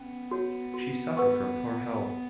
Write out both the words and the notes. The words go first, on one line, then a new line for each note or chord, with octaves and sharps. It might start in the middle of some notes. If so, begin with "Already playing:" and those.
She suffered from poor health.
Already playing: B3 C#4
F#4 C#5
F#4
B4 F#5 C#6